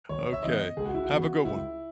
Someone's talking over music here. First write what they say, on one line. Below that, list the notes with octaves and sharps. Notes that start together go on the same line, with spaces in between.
Okay. Have a good one.
D#2 C#5
E5
C#3 E3 B3 D#5
C#2 G#4
F#4
E4
F#4
C#3 E3 B3
C#2 E4